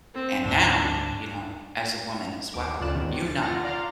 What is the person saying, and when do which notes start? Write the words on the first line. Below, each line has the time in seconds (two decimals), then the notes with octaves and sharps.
and now, you know, as a woman as well, you know
0.15 C4
0.45 D2 G#2 G3 D4
2.54 D#2 D6
2.81 D2 C#3 F4 D5 F#6 E7
2.94 D#2 G#2 B2 D#3
3.25 A6
3.43 F4 F#5 F6 A6 A#6
3.64 D5 F5 A#5 C6 A#6